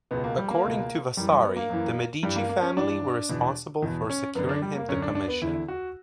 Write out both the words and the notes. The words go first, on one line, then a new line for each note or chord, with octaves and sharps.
According to Vasari, the Medici family were responsible for securing him the commission.
C#2 B2 B3
A#3
G3
A#3
C#2 B2
F#2 E3 G3
G3
B3
A#3
F#2 E3
G2 E3 G3
A#3
A#3
C#4
G2 E3 D4
E2 B2
E2 B2
C#4
F#2 D3 B3
D4
G3
A#3
F#2 D3 C#4
D4
D4
B3
E2 D3 E4
F#4